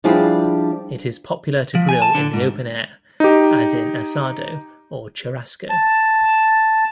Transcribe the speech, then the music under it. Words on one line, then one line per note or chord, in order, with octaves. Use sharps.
It is popular to grill in the open air as in asado or churrasco.
F3 G3 D4 E4 F4 G#4
F3
G#5
A5
D3
G#2
D#4 G4
A5